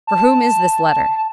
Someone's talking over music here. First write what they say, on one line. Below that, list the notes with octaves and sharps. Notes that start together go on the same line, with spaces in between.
"For whom is this letter?"
A5